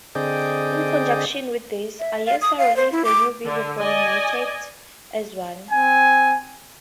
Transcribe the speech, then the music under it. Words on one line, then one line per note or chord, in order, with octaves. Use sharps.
In conjunction with this, Ayesa released the new video for 'United As One'.
D3 C4 G#4 D5 D#5 G5
E5
F5
D#6
F5
C5
E4
D6
D3
D5 D#5 G#5
C4 G#5